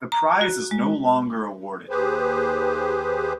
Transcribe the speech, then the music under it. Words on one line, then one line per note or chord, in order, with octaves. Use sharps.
The prize is no longer awarded.
A#5
F#4
G#3
D#2 G4 G#4 B4 C5